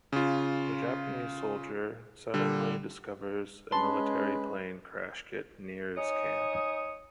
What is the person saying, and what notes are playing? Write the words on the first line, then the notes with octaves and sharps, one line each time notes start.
The Japanese soldier suddenly discovers a military plane crash kit near his camp.
C#3 F4
D3 G3
G#3 C#4 B4 A5 C6
D#4 C#5 G#5 D#6